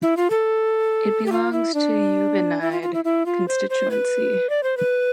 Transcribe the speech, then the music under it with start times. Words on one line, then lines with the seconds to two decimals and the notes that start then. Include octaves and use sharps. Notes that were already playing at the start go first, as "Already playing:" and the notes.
It belongs to Ubenide Constituency.
0.02 E4
0.17 F4
0.30 A4
1.26 G4
1.32 F4
1.53 E4
1.74 D4
2.61 E4
2.72 F4
2.83 F4
2.94 E4
3.05 E4
3.26 F4
3.48 C5
3.70 C5
3.91 B4
4.50 D5
4.63 C5
4.77 B4